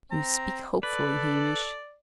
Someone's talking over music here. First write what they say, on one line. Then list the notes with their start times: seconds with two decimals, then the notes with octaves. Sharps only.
"You speak hopefully, Hamish."
0.11 C4 A#5
0.83 A4 B4 D5